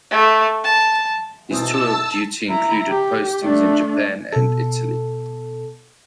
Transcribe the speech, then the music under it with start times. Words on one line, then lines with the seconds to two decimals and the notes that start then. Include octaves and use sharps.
His tour of duty included postings in Japan and Italy.
0.11 A3
0.64 A5
1.51 B2 E3 C4 E4 A5 D#6 E6
2.49 E4 A#5
2.89 G4
3.41 A3 D4
4.32 B2 A4